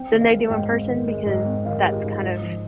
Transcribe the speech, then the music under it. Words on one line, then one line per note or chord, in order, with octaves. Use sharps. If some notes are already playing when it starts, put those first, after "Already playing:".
than they do in person, because that's kind of
Already playing: C4 G5
D#3
F5
G#3
G#2 G5
C4
D#3
G#3
G#2
C4
D#3 F5
G#3 G4
F4
G#2 D#4
G#2 F4
F3